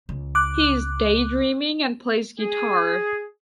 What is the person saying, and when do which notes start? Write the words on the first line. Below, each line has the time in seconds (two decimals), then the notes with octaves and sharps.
He is daydreaming and plays guitar.
0.09 C#2
0.35 D6 F#6
2.39 G#4